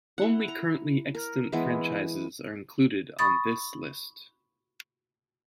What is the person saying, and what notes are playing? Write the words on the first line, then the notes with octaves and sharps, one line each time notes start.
Only currently extant franchises are included on this list.
E4 F#5
A#5
A#4
E3 G#3 B3 E4
B5 C#6 D#6 A6